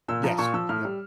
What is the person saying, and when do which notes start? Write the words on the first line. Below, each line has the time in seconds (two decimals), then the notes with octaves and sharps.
Yes. Yep.
0.08 A#2 E6
0.23 F3 A#5
0.38 A#2 C#6
0.54 F3 E6
0.69 A2 F6
0.85 G3